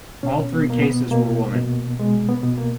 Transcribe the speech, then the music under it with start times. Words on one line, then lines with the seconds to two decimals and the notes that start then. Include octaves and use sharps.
All three cases were women.
0.23 B2 C#4
0.52 B3
0.67 B2 A#3
0.82 B3
1.11 B2 A#3
1.55 B2
2.00 B2 G#3
2.28 B3
2.43 B2
2.58 A#3